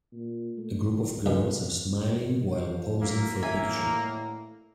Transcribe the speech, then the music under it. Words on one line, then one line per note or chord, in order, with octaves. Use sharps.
A group of girls are smiling while posing for a picture.
A#2
A3
C#2 F#2
F2 C5
F#3 A#3 E5
A2 E5 G#5 A#5